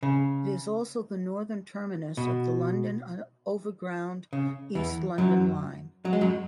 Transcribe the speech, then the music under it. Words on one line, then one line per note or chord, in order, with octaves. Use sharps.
It is also the northern terminus of the London Overground East London Line.
C#3
B2
C#3
E2 E3
F#2 F#3
F#3
G#3
F#2 F#3